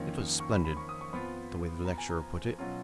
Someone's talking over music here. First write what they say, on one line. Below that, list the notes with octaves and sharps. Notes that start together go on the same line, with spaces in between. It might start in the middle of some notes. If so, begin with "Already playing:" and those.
It was splendid, the way the lecturer put it.
Already playing: F2 D#3 A#3 C#4 F4
C#6
B5
B5
C#6
D#6
C#6
F2 F3 B3 F4 B5
A#5
G#5
A#5
B2 F#3 C#4 F4